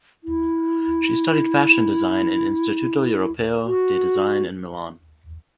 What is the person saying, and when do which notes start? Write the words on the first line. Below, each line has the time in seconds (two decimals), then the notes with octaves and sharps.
She studied Fashion Design in Istituto Europeo di Design in Milan.
0.24 E4
3.66 F#4